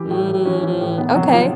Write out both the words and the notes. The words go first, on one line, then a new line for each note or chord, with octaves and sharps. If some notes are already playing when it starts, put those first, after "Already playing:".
Mm. Okay.
Already playing: E3 G4
A2
A2
E3 C#4
E3
A2
D#3 B3
C3 F#3
D#3 F3